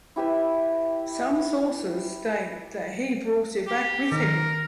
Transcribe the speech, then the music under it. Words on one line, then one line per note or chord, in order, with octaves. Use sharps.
Some sources state that he brought it back with him.
E4 G4 B4 E5
G4
D#3 A#4